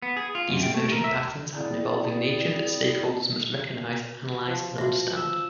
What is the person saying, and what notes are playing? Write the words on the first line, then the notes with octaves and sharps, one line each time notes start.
These emergent patterns have an evolving nature that stakeholders must recognize, analyze and understand.
B3
G#4
F4
F#2
G5
A3
A#4
E5
C4 E4 G#4 D5
F3
F#4 E5
E6